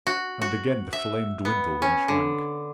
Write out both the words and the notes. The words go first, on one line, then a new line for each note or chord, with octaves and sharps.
And again the flame dwindled and shrank.
F#4
F#4
E5
B3
C#4
D3